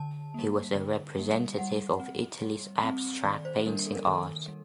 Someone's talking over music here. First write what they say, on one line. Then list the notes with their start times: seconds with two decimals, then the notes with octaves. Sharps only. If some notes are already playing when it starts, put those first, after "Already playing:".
He was a representative of Italy’s abstract painting art.
Already playing: D3 A5
0.34 G3 A#3
0.75 D3
1.17 G3 A#3
1.59 G3 F#5
2.00 C4
2.42 G3
2.84 C4
3.24 D#3 D5
3.45 C5
3.66 G3 A#3 D4 A#4
3.87 A4
3.95 A#4
4.04 D#3 A4
4.48 G3